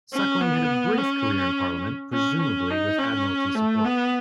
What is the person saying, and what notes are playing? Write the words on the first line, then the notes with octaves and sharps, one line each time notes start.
Suckling had a brief career in Parliament, presumably with Admiralty support.
C#4
B3
C#4
C#4
C#4
D#4
C#4
A3
B3